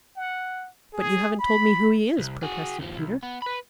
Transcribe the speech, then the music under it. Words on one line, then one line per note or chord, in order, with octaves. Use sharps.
"But you haven't told me who he is," protested Peter.
F#5
G#4
B5
C2
F#4 G#4
D#2 F3
C2
B3
B4 B5